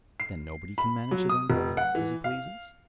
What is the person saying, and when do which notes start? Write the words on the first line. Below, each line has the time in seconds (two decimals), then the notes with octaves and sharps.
"Then nobody can manage his own property as he pleases?"
0.20 C7
0.78 B5
1.11 F#3
1.29 D#6
1.50 F1
1.77 F#5
1.95 E3
2.24 F5